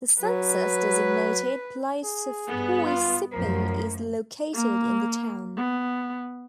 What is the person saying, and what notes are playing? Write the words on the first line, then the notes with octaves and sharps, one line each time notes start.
The census-designated place of Poy Sippi is located in the town.
F#3 B4
G#4
G2 B3
F4
F#2 A2 F3 A#4
A#3
B3